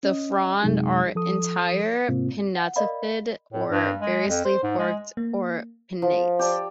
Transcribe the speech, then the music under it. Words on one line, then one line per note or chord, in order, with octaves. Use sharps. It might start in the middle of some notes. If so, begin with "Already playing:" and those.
The fronds are entire, pinnatifid, or variously forked or pinnate.
C#4 D#5
F#2 C3 F#3 G#3 D#4 G#4
F3 A4 D#6
G#2 C3 A#3 C4 F4
F#5
A#4 D5 D#5 F5 B5
A2
G2
G#3
F2
C5
G#2
G#3
A#3
F3
G4 D5 A5